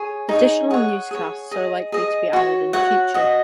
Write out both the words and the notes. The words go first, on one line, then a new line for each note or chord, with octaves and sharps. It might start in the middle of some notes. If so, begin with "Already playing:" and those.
Additional newscasts are likely to be added in the future.
Already playing: G#4 C#5 G#5
D#4 G#4 C#5
G#4 C#5 F#5
G#4 C#5
G#4 D#5
G#4 D#5
F#4 C#5
F#4 C#5 F#5
F#4 D#5